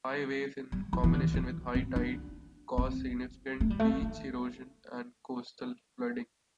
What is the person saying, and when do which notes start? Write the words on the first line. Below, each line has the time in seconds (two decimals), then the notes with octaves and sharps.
High waves, in combination with high tide, caused significant beach erosion and coastal flooding.
0.72 G3
0.93 E3
1.04 E3
1.13 D3
1.34 E3
1.75 C4
1.96 D4
2.78 C4
3.60 A3
3.70 G3
3.79 A3
4.02 D4